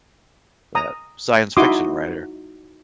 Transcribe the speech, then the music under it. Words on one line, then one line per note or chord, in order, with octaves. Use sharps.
the science fiction writer,
A#5 D#6
D#4 E4 F#4 C6 D6 D#6